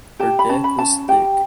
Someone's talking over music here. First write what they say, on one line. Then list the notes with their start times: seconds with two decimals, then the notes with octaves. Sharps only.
Her deck was thick.
0.19 G4 A5
0.39 B5
0.49 C#4 A5
0.64 B5
0.78 C#4 A5
1.08 G4 G5